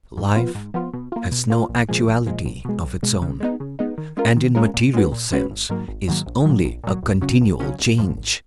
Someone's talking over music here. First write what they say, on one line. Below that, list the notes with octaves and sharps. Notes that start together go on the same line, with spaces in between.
Life has no actuality of its own, and in material sense is only a continual change.
G#2
F3 B3 F4
G#2
F3 B3 F4
B2
A#3 F4
B2
A#3 F4
A#1
A#2 F3 G#3
A#1
A#2 F3 G#3
B1
B2 G#3
B1
B2 G#3
C#3
G#3 B3 D#4
C#3
G#3 B3 D#4
D#3
G#3 C#4 F4 A#4
D#3
G#3 C#4 F4 A#4
A#2
G#3 C#4 F#4 B4
A#2
G#3 C#4 F#4 B4
G#1
G#2 D#3 F#3 A#3
G#1
G#2 D#3 F#3 A#3
A#1
A#2 F#3
A#1
A#2 F#3
C#2
C#3 F#3 C#4
C#2
C#3 F#3 C#4
G#1
F#2 F3
G#1